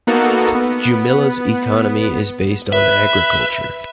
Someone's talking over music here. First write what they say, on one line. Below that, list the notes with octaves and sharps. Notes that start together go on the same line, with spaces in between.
Jumilla's economy is based on agriculture.
A#3 B3 D#4 F#4 A4 A#4
B3
B4 E5